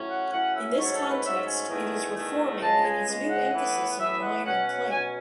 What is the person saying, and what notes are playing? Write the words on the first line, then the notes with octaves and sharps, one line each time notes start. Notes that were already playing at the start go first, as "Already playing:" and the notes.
In this context it is reforming in its new emphasis on line and plane.
Already playing: A2 F#3 C#4
F#5
A2 F#3 C#4 F#5
E5
G#2 F#3 A3 C#4 C#5
A4
B4
G#2 F#3 A3 C#4 E5
G#5
E2 D#3 A3
E2 D#3 A3
C#2 C#3 G#3 A5
G#5
C#2 C#3 G#3
F#5
A2 E3 B3
A2 E3 B3 E5
F#5
B2 F#3 C#4 F#5
F#5
B2 F#3 C#4 G#5